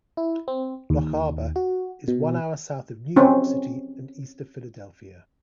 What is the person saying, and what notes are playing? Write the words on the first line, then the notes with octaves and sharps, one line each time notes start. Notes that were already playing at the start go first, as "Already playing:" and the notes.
Loch Arbour is one hour south of New York City and east of Philadelphia.
E4
C4
D#2
F#4
B2
C4 C#4